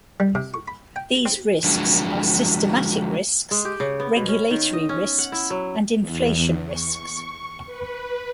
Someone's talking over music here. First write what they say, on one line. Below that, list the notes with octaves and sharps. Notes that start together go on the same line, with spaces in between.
These risks are systematic risks, regulatory risks and inflation risks.
G3
C3
C#6
B5
G5
C4
D3 F3 F#3 G#3 D4
G#3
G4
C#3
B3
B2
C#4
D#3
D#5
C#4
F#5
E4
F#3
E2
C#6
B4